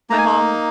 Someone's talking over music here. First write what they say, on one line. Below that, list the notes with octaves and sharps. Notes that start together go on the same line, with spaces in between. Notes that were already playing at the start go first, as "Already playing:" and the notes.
my mom
A#3 D#4 G#5 A#5